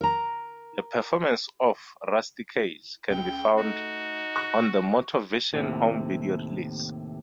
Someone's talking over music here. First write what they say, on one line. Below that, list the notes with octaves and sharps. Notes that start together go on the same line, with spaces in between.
A performance of "Rusty Cage" can be found on the "Motorvision" home video release.
A#4 A#5
C#2 G5
A3 D#4 F#4
C#6 F#6 A#6
D#2 A2 C3